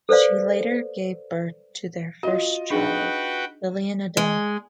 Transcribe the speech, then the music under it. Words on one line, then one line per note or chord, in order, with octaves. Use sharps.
She later gave birth to their first child, Lillian Adel.
A4 B4 C5 D5 F5
F4 F#4 D#5
D4 D#4 F#4 G#4 B4 G5
G#3